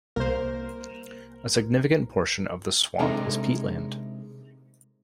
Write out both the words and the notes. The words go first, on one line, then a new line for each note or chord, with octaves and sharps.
A significant portion of the swamp is peatland.
C2 A#3 A#4 C5
C3 G#3 D4 D#4 A4 A#4